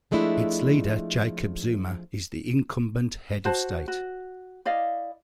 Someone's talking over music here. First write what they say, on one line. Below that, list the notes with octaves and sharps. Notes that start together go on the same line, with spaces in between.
Its leader Jacob Zuma is the incumbent head of state.
F3 G#3 A3 D4 E4
F#4 C5 A5
F#4
E4 D5 D#5 F5